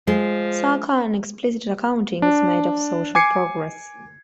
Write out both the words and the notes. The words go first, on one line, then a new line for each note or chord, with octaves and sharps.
Sarkar an explicit accounting is made of social progress.
F3 G#3
D4
G#5 D6 G#6 C7 C#7